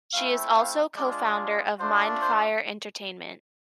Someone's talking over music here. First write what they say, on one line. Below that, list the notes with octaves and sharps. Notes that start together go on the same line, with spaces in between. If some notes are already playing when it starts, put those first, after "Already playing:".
She is also co-founder of Mindfire Entertainment.
A3 C4 E4 F5
F5
G#3 D4 F4 D5
A3 D4 F4 C5
C5